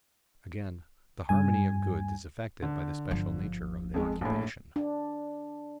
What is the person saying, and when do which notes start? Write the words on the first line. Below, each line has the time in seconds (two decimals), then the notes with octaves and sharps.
Again, the harmony of goods is affected by the special nature of the occupation.
1.29 G2 G#5
2.62 D3
3.11 G1 F3
3.94 F2 G#3
4.21 A#1 A2
4.76 D4